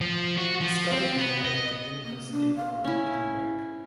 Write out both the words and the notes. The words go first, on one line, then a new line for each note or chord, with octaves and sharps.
He studied law at the University of Edinburgh.
F3
F#4
F3
C4
B3
D#5
A#3
D4
F5
C#4 E4